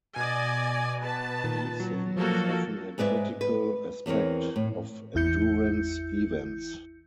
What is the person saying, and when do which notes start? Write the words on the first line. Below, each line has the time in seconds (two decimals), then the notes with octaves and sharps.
Pacing is often a critical aspect of endurance events.
0.16 B2 D5 D#5 G#5
1.02 B4 A5
1.44 A#2 D#3
1.80 F#3
2.17 F3 A#3 F#4 A4
2.98 G#2 G#3 B4 D5 E5
3.41 B4
4.06 E2 E3 C4 A#4 C#5
4.56 A2
5.14 G#1 E2 E4 G6 C#7